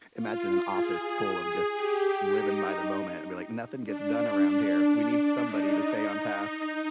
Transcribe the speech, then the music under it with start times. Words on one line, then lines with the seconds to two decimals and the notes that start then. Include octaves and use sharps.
imagine an office full of just living by the moment, and be like, "Nothing gets done around here, we need somebody to stay on task."
0.14 F4
0.68 G#4
1.73 G4
2.25 D#4
3.83 D4
5.41 D#4
5.93 D#4